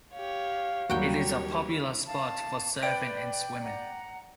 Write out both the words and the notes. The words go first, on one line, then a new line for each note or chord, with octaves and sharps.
It is a popular spot for surfing and swimming.
G4 C#5 F5
D#2 F#3 G3 F#4 G4 C#5 G5
F5 A5
B4 D5 G5 D7
F#5 A#5